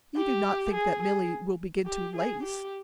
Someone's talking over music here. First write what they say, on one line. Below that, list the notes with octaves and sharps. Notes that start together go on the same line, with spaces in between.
"You do not think that Milly will begin to lace?"
G4
G#4
G#4
G4
G#4
G4